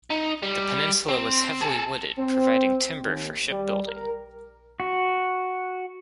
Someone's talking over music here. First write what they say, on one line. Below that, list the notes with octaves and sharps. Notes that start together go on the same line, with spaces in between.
The peninsula was heavily wooded, providing timber for shipbuilding.
D#4
G3
C4
G#4 A4
C4
D#2
G3
A#4
F#4